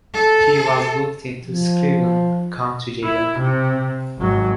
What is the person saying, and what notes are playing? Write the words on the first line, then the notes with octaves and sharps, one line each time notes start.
He was booked into Screven County Jail.
A4
F3
E4
C3
G#1 F#3